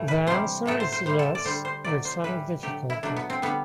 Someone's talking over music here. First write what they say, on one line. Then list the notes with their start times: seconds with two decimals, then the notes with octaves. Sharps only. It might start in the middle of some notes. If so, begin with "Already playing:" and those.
The answer is yes, with some difficulty.
Already playing: A2 E3 A3
0.08 B4
0.27 C3 E3 G3 C5
0.66 A2 F#3 A3 A4
0.80 C5
0.92 C5
1.06 A2 G3 C5
1.19 A4
1.35 D5
1.45 D3 G3 C5
1.65 C5
1.84 B2 F#3 A3 D5
2.05 C5
2.24 A2 E3 G3 B4
2.63 D3 F#3 A3 G4
2.90 E4
3.03 B2 F#3 A3 D4
3.16 B3
3.30 C4
3.42 D3 G3 B3